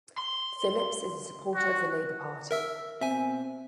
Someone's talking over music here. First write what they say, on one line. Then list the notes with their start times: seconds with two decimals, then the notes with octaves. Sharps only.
Phillips is a supporter of the Labour Party.
0.18 C6
1.55 F#4
2.51 A#4 E5 E6
3.01 B2 C4 E5 G#5